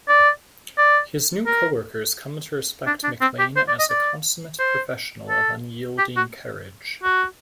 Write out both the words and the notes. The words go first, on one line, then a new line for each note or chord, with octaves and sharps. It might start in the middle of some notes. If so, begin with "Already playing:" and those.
His new coworkers come to respect McClain as a consummate professional of unyielding courage.
D5
D5
A#4
D4
D4
C4
G4
C5
D5
D#5
D5
C5
A4
G4
F#4
F#4